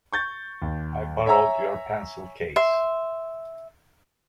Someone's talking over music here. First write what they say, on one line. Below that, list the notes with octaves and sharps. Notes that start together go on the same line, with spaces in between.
I borrowed your pencil case.
C#6 G6 A6
D#2
C#5 E5 G#5 A#5 E6
E5 C6